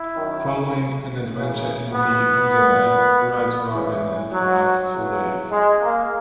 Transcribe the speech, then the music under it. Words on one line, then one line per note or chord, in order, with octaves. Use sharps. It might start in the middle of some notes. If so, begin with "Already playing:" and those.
Following an adventure in the Undernet, Red Robin is allowed to leave.
Already playing: E4
F#2 D#3
F#2 C#3 E3
B3
A#2
E2 C#3 E3
F#3
E2 C#3 E3 F#3
G#3
A#3